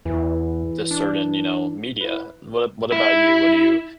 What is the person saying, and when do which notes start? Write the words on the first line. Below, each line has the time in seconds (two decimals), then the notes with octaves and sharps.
this certain, you know, media. What a what about you? What do you
0.06 E2 E3
0.91 D4
2.01 E4 B4
2.92 E4